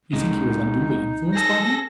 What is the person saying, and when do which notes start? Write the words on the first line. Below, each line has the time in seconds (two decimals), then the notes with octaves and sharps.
"You think he was unduly influenced by him?"
0.13 C#2 C3 G#3 D#4
1.36 G#4 A4 A#6